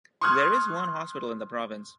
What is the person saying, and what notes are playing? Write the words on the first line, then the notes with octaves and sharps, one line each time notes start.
There is one hospital in the province.
C6 C#6 D#6 F6 F#6 G#6